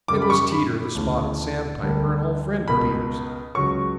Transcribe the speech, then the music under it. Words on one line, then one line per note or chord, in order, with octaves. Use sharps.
It was Teeter the Spotted Sandpiper, an old friend of Peter's.
F#2 C#3 G3 A#3 D6
B5
C#6
B5
D2 C#3 E3
D2 D3 G3 A#3
C#2 B2 A#3 B5
C#2 C#3 F#3 C#6